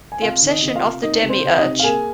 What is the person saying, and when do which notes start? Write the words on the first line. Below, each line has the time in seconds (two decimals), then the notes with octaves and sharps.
The Obsession of the Demiurge.
0.12 G#5
0.22 C3 F4 F5
0.42 D#3
0.49 D#4 D#5
0.62 C3
0.68 D#5
0.76 F4 F5
0.83 C3
1.03 A#3 D#4 D#5
1.23 C3
1.29 C4 C5
1.43 C3
1.56 D#4 D#5
1.63 C3
1.79 F5
1.83 A#3 G#4 G#5